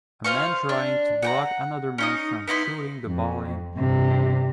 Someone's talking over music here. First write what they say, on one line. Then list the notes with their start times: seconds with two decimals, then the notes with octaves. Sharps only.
A man trying to block another man from shooting the ball in.
0.24 F4 C5 F5 C#6
0.69 D4
1.22 F#5 G5 A#5
1.98 C#4 D#4 D#6
2.48 B3 D#4 E4 C6
3.07 F2
3.76 G2 C3